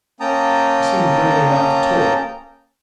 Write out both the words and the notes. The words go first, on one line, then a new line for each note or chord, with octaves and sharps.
She seemed willing enough to talk.
A#3 C#4 G5 A5 A#5 D#6